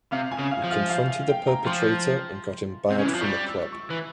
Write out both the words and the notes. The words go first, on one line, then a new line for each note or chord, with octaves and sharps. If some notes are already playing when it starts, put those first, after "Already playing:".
We confronted the perpetrator and got him barred from the club.
C3 F5
G#5
C#3
F5
F3
F5
F5
F5
G5
A#5
F3 C6
C3
C#3
E3
F3
G3 C#6
E6
C#6
E3